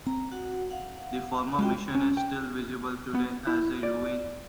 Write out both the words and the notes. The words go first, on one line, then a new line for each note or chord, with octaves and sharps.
The former mission is still visible today as a ruin.
C4 A#5
F#4 F#5
F5 F#5
G#3 F4 F#4 G5
C#4
G5
B3
E4
D5